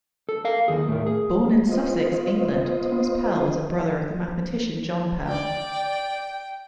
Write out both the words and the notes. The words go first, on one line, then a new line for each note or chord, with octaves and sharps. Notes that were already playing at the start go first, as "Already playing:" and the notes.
Born in Sussex, England, Thomas Pell was a brother of mathematician John Pell.
A4
A#4 F5
D#2 G#4
A2 A#4
G#4
B3 F4 C5 D#5
D5 G5